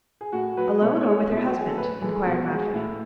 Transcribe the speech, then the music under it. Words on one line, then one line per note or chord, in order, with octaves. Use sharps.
"Alone, or with her husband?" inquired Matvey.
G#4
A2 F#4
F#3 B4
B2 C#5
G#3 C#5
B2
E4
F#4
F#3 G#4
A4
A2 B4
E3 G#3 A4
B2 F#4
G#3
A2 E4